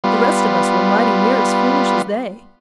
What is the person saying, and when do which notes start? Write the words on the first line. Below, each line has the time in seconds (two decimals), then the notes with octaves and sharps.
The rest of us were mighty near as foolish as they.
0.04 G3 B3 F4